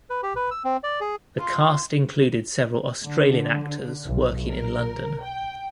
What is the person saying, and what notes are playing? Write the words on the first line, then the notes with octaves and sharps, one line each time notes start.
The cast included several Australian actors working in London.
B4
G4
B4
E6
C4
D5
G#4
F4
D3
B1
A#4
G5